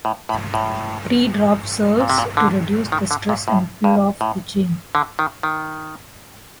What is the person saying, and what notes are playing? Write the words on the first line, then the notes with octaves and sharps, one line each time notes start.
The pre-drop serves to reduce the stress and pull of the chain.
A2
A2
A2
A#2
C3
A#2
D3
D#3
D3
A#2
A2
G2
A2
D3
D#3
D#3